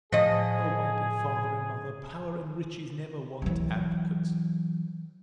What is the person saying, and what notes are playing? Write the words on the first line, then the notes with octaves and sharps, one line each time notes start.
O my dear father and mother, power and riches never want advocates!
A2 F3 G#4 D#5
E3 F#3